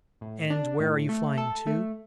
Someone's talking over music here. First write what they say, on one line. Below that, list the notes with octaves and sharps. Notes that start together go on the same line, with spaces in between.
"And where are you flying to?"
A2
D4
A2
A3
A4
A3